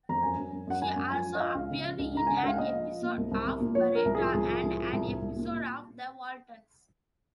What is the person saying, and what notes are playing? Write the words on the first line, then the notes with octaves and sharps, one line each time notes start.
She also appeared in an episode of "Baretta" and an episode of "The Waltons".
F2 A#5
F#2 G#5
F#2
F#2
F#2 F#5
F#2 G#5
F#2
F3 G#5
F3
D#5
F3 F5
C#2
C#3
F3
C#2
C#2 A#5
C#3 G#5
F#5
C#2 F5
A#2 D#5
F3
F3
A#2
C2
C2
C2
A#2
F3 C#5
F3
A#4
C2
F3 G#4
C2
F3
C2
F3
C2
C2
C2
A#2